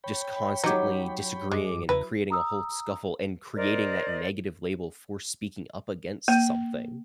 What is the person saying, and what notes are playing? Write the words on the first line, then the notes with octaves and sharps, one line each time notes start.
just constantly disagreeing and creating a whole scuffle and creating that negative label for speaking up against something,
C#5 G5 B5
F#3 D#4 G4
F#2 G#3 D6
E2 C#3 E4 B4 A#5
A#5 D#6 E6
A#4 C5 D5 D#5
A#3